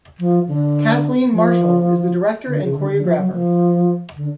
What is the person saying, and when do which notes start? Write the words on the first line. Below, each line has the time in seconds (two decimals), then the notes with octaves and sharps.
Kathleen Marshall is the director and choreographer.
0.19 F3
0.48 D3
1.33 F3
2.47 D3
2.62 C#3
2.75 D3
2.90 D3
3.03 F3
3.18 F#3
3.32 F3
4.16 D3